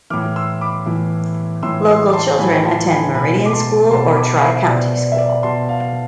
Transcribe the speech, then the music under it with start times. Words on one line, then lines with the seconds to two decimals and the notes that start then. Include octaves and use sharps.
Local children attend Meridian School or Tri County School.
0.10 A2 E3 D6 F6
0.36 C6 E6
0.61 B5 D6
0.86 A2 E3
1.63 A2 E3 C6 E6
1.88 C6 E6
2.13 A5 C6
2.39 A2 E3 G#5 B5
2.52 B5
2.64 A5 C6
2.89 G#5 B5
3.15 B2 G#5 B5
3.46 D6
3.53 A5 C6
3.91 B2 A5 C6
4.16 B5 D6
4.42 C5 E5
4.67 B2 D5
4.93 D5
5.12 E5
5.18 D5
5.43 B2 A5 C6
5.69 F5 A5